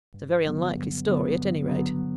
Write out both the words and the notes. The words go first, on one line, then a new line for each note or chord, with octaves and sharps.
It's a very unlikely story, at any rate.
G2
D3 F#3 B3
G2
D3 F#3 B3
G2
D3 F#3 B3